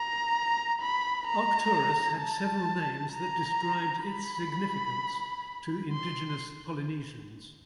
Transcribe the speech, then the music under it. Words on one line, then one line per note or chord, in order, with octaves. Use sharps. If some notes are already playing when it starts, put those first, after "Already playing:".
Arcturus had several names that described its significance to indigenous Polynesians.
Already playing: A#5
B5
A#5
A5
A#5
B5
C6